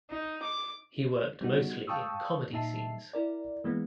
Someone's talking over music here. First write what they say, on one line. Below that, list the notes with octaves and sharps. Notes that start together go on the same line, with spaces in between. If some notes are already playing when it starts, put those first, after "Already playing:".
He worked mostly in comedy scenes.
D#4
D6
G3 B3 D#4 F#4
F5 G5 A5 C#6 D#6 E6
A#2 D#4 E5 A5 C7
E4 A#4 D5
E3 G#3 A#3 B3